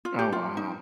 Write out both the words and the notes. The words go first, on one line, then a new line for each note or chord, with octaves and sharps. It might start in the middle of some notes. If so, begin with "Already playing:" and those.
Oh, wow.
F4
G4
F4
D#4